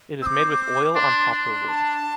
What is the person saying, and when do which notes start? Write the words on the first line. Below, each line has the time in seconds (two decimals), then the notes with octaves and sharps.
It is made with oil on poplar wood.
0.22 C4 E6
0.26 D6
0.95 D4 C6
1.32 D4
1.69 A5